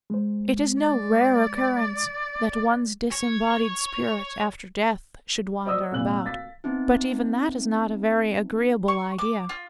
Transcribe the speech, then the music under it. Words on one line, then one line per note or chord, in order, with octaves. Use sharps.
It is no rare occurrence that one's disembodied spirit, after death, should wander about; but even that is not a very agreeable idea.
G#3 C5
D5
C#5
C5 D5 D#5 D#6 E6
F1 C2 A#2 F5 F#6 F#7
F5 A6 B6
B3 C4 D#4 E4
C#6
D6
F4